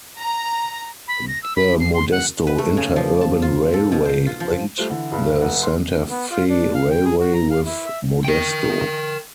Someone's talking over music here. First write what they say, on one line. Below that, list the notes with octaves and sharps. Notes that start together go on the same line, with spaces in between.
The Modesto Interurban Railway linked the Santa Fe Railway with Modesto.
A#5
B5
A#6
E6
B5
C7
C6
F#5
B4
A3
C#3
F3
A5
F4
A4
B2
C5
F4
F3
G3 A3 F4 C5
D3 E3
C#2 G2
F1 F#5
C6
B3
F4
D4
F5
G5
G#4
F#4
A#5
F5
E4
E5
A#4 G5